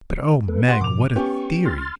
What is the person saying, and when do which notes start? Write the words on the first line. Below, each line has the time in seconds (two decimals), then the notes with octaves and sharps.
"But oh, Meg, what a theory!"
0.48 A3 A4 B4
0.68 G4 F#5 C6
0.81 G#2 B2 F3 D6 F7
1.16 B3 C#4 G4 C#6
1.65 C6 F6 A6